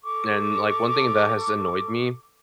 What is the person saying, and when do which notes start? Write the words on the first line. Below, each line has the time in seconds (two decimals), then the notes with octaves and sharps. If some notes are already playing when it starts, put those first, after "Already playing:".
And, like, one thing that has annoyed me
0.03 A4 C#6 D6